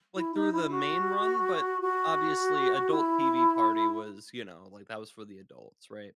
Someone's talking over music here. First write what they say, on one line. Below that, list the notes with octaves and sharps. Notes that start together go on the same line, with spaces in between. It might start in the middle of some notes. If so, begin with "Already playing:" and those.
like, through the main run, but obviously, adult TV party was, you know, like, that was for the adults, right
E4
D#4
E4
F#4
F#4
E4